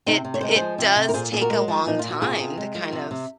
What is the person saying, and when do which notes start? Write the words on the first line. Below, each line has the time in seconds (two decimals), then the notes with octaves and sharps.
it d it does take a long time to kind of
0.06 C3 C4 D#4
0.24 C3
0.34 C#5
0.41 G#3 C5
0.49 A#4
0.56 F3 G#4 C5
0.78 C3
0.96 C3
1.09 A#4
1.14 A#2 G#4 C5
1.32 A#2 G#4
1.41 F#4 A#4
1.50 G#3
1.68 F3
1.86 A#2 D#4
1.99 A#2 F4
2.10 F#4
2.21 C3 F4 G#4
2.39 C3
2.58 G#3
2.75 F3
2.93 C3
3.11 C3